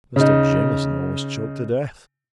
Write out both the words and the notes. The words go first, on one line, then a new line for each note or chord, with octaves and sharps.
Mr. Jamieson almost choked to death.
C#3 D#4